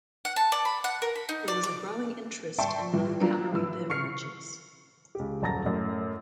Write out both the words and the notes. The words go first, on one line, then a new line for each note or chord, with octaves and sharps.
There was a growing interest in low-calorie beverages.
F#5
A5
D5
B5
F#5
A#4
B5
D#4
D5
D6
D5 E5 G5 A5 C6 C#6
A#2 E3 G3
F3 F#3 A#3 D4
A2 E3 E6
C#6 F6 C7 C#7
C#2 G4
D#1 F#2 A5 A#5 A6 A#6
F#2 A2